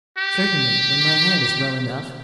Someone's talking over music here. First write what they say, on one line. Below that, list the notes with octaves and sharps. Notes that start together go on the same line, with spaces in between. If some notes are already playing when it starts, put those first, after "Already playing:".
"Certainly, when my hand is well enough."
G4